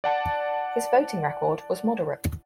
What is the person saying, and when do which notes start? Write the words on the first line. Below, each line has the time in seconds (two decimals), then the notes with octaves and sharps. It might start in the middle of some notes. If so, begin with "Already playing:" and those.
His voting record was moderate.
0.04 D5 F#5 A5